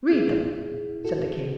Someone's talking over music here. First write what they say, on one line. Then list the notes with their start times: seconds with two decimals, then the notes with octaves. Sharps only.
'Read them,' said the King.
0.12 B2 E4 G#4
0.28 B2
0.43 B2
0.59 B2
0.74 B2
0.89 B2
1.04 B2 F#4 A4
1.20 B2
1.36 B2